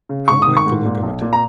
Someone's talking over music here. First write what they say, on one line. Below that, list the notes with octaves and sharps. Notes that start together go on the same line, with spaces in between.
I don't like the look of it.
C#3
G#2 C#6
D#3 D#6
C#6
G#2
A#2
B1
A#2
A#5